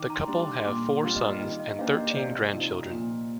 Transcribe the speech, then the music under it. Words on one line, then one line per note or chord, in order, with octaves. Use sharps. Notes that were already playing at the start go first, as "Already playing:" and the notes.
The couple have four sons and thirteen grandchildren.
Already playing: D#3 D6
A#5
C6
G3 D4
D6
C6
A#2 D6
C6
G3 A#3 D4 F4
D#5
D#3 D#5
D#5
A#3 D4 G4 C5 F5
D#5
D5
C3 C5
F3 C4 D#4
A#2